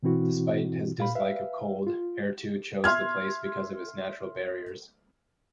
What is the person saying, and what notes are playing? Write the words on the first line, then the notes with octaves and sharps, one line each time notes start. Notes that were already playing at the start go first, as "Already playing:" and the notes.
Despite his dislike of cold, Errtu chose the place because of its natural barriers.
B2 E3 C4 E4 F#4
A#2 F5 B5
B4 E5 F5
F4
E5 C6 F6 G#6